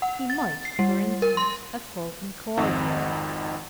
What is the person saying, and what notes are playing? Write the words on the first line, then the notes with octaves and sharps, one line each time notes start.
He might, for instance, have called him Cordier.
F#5
A6
C7
G3
A#4
C6
G#1 F2 C4 D#4 F#5